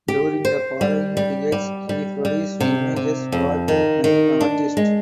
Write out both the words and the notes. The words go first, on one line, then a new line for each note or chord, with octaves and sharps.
During the following decades he produced images for many artists.
G4
C5
G3
G3
G3
G3
G3
C3
C3
F2
D#3
D#3
D4
G#3